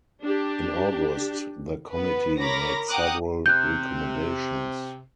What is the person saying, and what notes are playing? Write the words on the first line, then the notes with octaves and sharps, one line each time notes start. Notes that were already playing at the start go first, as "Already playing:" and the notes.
In August, the committee made several recommendations.
D4 G4
B3 B4
A#4 C#5 B5 D6 A#6
F#5 G5 A#5 D6 D#6 F#6
C3 F#6 G6